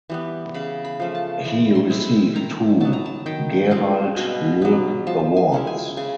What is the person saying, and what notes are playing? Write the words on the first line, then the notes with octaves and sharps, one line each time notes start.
He received two Gerald Loeb Awards.
E3 G3 B3
C#3 B5
B5
F3 A3 C#4
A5
E3 B5
C6
G#3 C4 E4
B5
D#3 A#5
F#3 B3 A5
A#5
A5
D#3 G5
G#3 C4 F4
B2 G#5
F#3 B3
F3 A5
G#5
G#3 C#4 E4
G#5
C#3 G#5